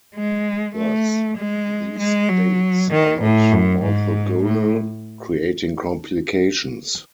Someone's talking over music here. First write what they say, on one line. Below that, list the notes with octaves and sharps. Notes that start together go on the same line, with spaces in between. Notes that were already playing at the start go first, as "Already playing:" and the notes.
Thus these states are not orthogonal, creating complications.
G#3
A3
G#3
G#3
F#3
D#3
A2
F#2
G#2
A2